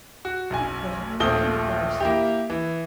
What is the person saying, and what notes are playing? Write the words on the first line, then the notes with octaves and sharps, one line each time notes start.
'Dick doesn't remember you, Gracey.
F#4
F#1 B1 G#5
A#1 D#2 F3 A3 D#6 G7
A#3 E4 G4
E3